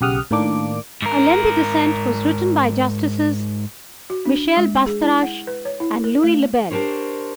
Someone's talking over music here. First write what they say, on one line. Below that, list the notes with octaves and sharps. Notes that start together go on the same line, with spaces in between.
A lengthy dissent was written by Justices Michel Bastarache and Louis LeBel.
B1 C#3 G4 F#5 D#6 F6
A2 D#3 A#3 D4 D6
G#2 A#4
F#4
D4
G#3
G#4
E4
F#5
B4
C#5
E4
A#4
A3
D4 G4 A#4 C5 C#5